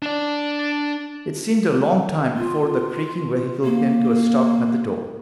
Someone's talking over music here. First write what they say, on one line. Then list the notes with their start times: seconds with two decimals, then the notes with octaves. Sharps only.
It seemed a long time before the creaking vehicle came to a stop at the door.
0.02 D4 D5
2.37 F4
3.64 A#3